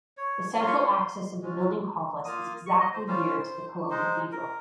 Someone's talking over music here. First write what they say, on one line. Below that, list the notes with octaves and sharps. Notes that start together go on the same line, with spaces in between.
The central axis of the building complex is exactly geared to the Cologne Cathedral.
C#5
A#3 C#4 F4 C6
C#6
C6
G#3 C#4 F4
A#3 F4 D#6
C#6
D#5
C5
G3 C#4 F4 C5
G#3 D#4 C5
A#4